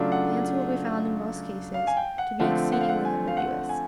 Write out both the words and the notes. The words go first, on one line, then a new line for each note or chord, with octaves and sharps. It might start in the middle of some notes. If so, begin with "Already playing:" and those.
The answer will be found in most cases to be exceedingly ambiguous.
Already playing: C#3 F#3 A3 D4 F4
F#5
F5
G#5
G5
F#5
D3 F3 A3 C4 F4 F#5
F#5
F5
F#5
G#5
F5
F#5
G#5